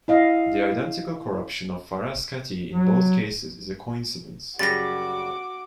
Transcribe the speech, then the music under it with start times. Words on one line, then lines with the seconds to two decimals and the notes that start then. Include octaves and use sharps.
The identical corruption of Frascati in both cases is a coincidence.
0.08 E4 D#5 F5
2.73 F#3
4.59 F#2 C#3 G3 F#4 D6 A6 A#6